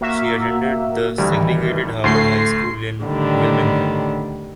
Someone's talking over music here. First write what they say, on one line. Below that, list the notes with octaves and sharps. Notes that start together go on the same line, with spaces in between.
She attended the segregated Howard High School in Wilmington.
A#3 F#4 E5
D2 D#3 E3 G3
D2 A3 C6 C7
A2 D3 D#3 G3